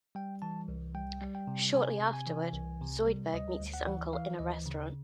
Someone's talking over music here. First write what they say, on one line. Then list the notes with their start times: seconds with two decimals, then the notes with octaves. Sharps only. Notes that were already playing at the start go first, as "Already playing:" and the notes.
Shortly afterward, Zoidberg meets his uncle in a restaurant.
0.15 G3 G5
0.42 E3 A5
0.68 C2
0.95 G3 G5
1.22 G3
1.35 G5
1.47 C3
1.75 C3 G#5
2.01 C3
2.13 G#5
2.27 E3
2.54 C2
2.81 C3
3.07 G3
3.34 D2 D#5
3.60 D2
3.74 F#5
3.86 E3
4.13 E3 F5
4.39 D2 D#5
4.66 C#3